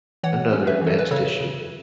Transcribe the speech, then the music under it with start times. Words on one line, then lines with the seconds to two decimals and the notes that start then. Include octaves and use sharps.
another advanced issue,
0.23 E3 C#5 F#5
0.53 C#4
0.67 B4 E5
0.82 E3
0.87 A4
0.99 B4
1.11 C#3 A4 C#5
1.40 C#3